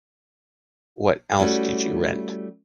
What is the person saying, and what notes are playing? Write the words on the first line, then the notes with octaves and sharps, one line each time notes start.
What else did you rent?
G3 A3 C#4 E4 F#4